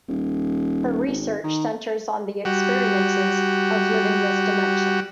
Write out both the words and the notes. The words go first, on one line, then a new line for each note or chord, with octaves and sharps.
Her research centres on the experiences of living with dementia.
D#1
G#1
D#3
G3 F#4